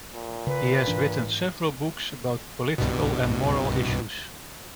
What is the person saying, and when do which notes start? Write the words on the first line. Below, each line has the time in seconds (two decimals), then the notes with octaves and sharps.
He has written several books about political and moral issues.
0.15 A#2
0.47 C#3 B4
0.88 G#2 E3 D4
2.78 C2 G2 B2